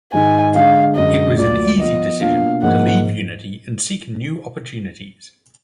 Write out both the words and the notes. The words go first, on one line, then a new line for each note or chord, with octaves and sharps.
It was an easy decision to leave Unity and seek new opportunities.
G#2 D#3 G#3 D#4 G#5
D3 G#3 D4 F5
F#2 D3 G#3 D#5
D2 D3 F#3 A#3 F4 D5
F3 B3 F4 D#5
B2 A#3 D4 F4 F5
G#2 F3 A#3 F#5